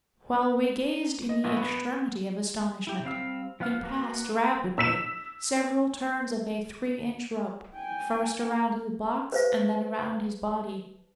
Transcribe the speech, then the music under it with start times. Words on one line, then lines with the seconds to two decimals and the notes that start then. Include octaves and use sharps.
While we gazed in the extremity of astonishment, he passed, rapidly, several turns of a three-inch rope, first around the box and then around his body.
1.29 D#5
1.44 A#1
1.57 B3
2.87 E4 G4
3.04 G3 C4 F5 E6
3.60 F3 B3 F5 F6
3.83 A#3 F#4 B4
4.78 E6 B6 E7
7.74 G5 G#5
9.32 B4 C5 F5